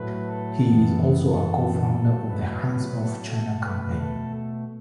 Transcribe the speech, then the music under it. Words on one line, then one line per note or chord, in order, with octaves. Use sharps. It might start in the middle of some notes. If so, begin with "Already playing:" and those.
He is also a co-founder of the Hands off China Campaign.
Already playing: A2 F#3 A3 B4
A4
F#2 E3 B3
A4
A2 F#3 A3
B4
A4
B2 A3 A4
B4
A4